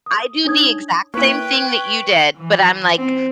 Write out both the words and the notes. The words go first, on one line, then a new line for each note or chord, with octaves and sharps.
I do the exact same thing that you did," but I'm like,
D#6
D4 D#4 C#5 D#6 G#6
A#3 E4 B4 C#5 G5
E3
C4